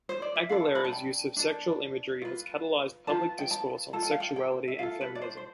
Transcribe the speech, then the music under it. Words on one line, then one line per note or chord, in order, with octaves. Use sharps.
Aguilera's use of sexual imagery has catalyzed public discourse on sexuality and feminism.
C5
D5
E5
D4 A4 F5
B5
A5
G5
D4 A4
F4 B4
F4 B4 A5
G5
A5
F4 A4 A5
G5
F5
G5
G5
E5
F4 A4 F5
B4
D5
C5
C5